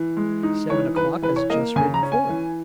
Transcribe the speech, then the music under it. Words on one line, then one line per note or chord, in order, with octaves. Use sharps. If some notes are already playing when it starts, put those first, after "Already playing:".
Seven O'clock has just ridden forth.
Already playing: E3
G#3
D#4
E3 C#5
E3 B4
E3 B4
C#5
A#3 D#5
C#3 G#5
A#5
C#4
G#5
E3